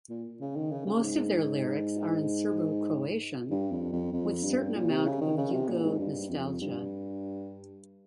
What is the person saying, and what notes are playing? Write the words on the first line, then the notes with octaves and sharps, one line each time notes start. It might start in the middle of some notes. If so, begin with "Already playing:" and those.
Most of their lyrics are in Serbo-Croatian with certain amount of "yugo-nostalgia".
A#2
C#3
D#3
C#3
C#3
G#2
G2
F2
F2
F2
G2
A#2
C3
C#3
D#3
C#3
C3
A#2
G#2
G2
F2
G2